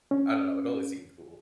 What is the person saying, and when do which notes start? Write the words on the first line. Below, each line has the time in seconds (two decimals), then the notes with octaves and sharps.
I don't know, it always seemed cool.
0.11 C#4